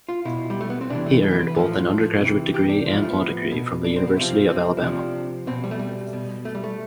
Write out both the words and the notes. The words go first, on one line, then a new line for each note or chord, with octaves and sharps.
He earned both an undergraduate degree and law degree from the University of Alabama.
F4
B2 E4
G3
A3
B3
C4
C3 E3 D4
A3
G3
B3
C4
B4
A2 F3 A4
C3 E3
G4
D4
A2 F3 G3 C4
A3
B3
B2
D4
C4
B3
C3 F3 C4
C4
E4
C3 F3 D4
B2 C4
G3
A3
G3
B2
A3
G3
A3